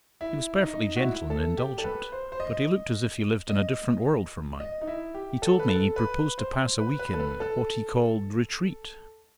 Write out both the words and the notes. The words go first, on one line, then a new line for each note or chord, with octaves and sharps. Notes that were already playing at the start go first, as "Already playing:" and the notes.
He was perfectly gentle and indulgent--but he looked as if he lived in a different world from mine. He told me he proposed to pass a week in, what he called, Retreat.
E4
D#4
F#4
E4
A4
G4
A4
B4
C5
C5
D#5
D#5
D#5
D#4
E4
G4
A4
B4
A4
B4
C5
B4
B4
A4
B4
A4